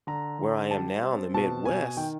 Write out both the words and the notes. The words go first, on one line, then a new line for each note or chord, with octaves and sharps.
where I am now in the Midwest,
D3 A#5
D3
G3 A5
C4
B2 A5
B2 G#5
D#3 G5